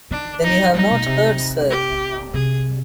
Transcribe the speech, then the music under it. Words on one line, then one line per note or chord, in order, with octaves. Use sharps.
Then you have not heard, sir?
D#3 D4
D#4
G3 D#4
B2
C3
G4
C3 G#4